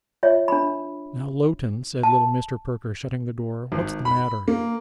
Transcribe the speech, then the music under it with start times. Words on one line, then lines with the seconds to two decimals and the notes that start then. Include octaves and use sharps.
'Now, Lowten,' said little Mr. Perker, shutting the door,'what's the matter?
0.23 F4 C#5 E5
0.48 D4 B5
2.03 A5
3.72 G#1
4.05 B5
4.48 A#3